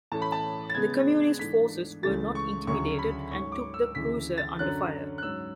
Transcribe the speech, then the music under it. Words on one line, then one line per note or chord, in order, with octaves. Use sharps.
The Communist forces were not intimidated and took the cruiser under fire.
A2 E3 A3 C#4 A5
B5
A5
A6
C#3 G#3 B3 G#6
G#2 E3 A3 D4 B6
C#2 C#3 E3 A3 A6
C#6
D2 C#3 F#3 C#6
B5
G#2 F#3 C#4 C#6
D6
E6
D2 C#3 E3 B6
A6
F#2 D3 F#3 C#4 F#6
F#6
G#2 F#3 C#4 E6